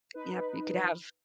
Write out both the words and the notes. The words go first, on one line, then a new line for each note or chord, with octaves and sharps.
yep, you could have
D#4 B4